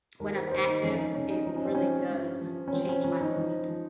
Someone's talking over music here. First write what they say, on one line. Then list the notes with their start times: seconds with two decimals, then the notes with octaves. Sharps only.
when I'm active, it really does change my mood,
0.20 D#2 A#4
0.35 C5
0.51 D#2 C5
0.67 D#4
0.83 F2 C#4
0.99 D#4
1.15 C#3 C#4
1.30 D#4
1.46 F3 D#4
1.56 C#4
1.65 C4
1.75 F3 C#4
2.10 G2
2.41 F3
2.68 C#4
2.73 F3 C4
2.89 C#4
3.04 F3 C#4
3.21 D#4
3.37 F3
3.68 F3